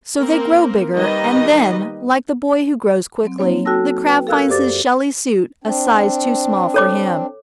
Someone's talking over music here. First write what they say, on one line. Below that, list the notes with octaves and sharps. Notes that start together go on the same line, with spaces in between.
So they grow bigger; and then, like the boy who grows quickly, the Crab finds his shelly suit a size too small for him!
A#3 C4 A#4
D#3 G3 A#3 D#4 B4 D#5
F#3 C4
F#3 A#3 C4 D#4 C#5
F#4 A4 G5 A5 E6 A#6
B4 G5
A4 A#4 F5 E6 F#6 G#6
F#2 G4 C5 D5 D6 A6
C4 D4
A4 C#5 D6